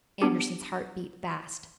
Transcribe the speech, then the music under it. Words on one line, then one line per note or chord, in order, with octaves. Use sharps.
Andersen's heart beat fast.
B3 D4 G4